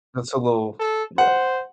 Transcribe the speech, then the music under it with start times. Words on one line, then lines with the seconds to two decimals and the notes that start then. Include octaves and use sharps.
That's a little yeah.
0.79 A4
1.18 C5 F#5